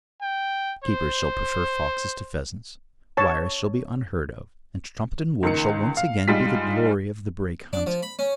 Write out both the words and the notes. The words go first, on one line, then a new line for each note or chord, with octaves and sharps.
Keepers shall prefer foxes to pheasants, wires shall be unheard of, and Trumpeton Wood shall once again be the glory of the Brake Hunt.
G5
C5
C#5 A5
C#2 D#3 A#3 C#7
F5
G#2 G3 G#3 F4 B6
D4
F3
B5
C#4